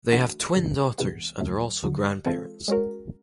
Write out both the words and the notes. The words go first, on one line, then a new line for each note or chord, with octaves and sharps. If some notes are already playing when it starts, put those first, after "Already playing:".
They have twin daughters and are also grandparents.
E3 A3 D4 F#4
G2 D3 G3
C2 C3 E3 G#3 B3
D#2 C#3 F#3 A3
D#2 D3 F#3
E3 G#3 C4 F4 A4
G#3 C#4 F#4 A#4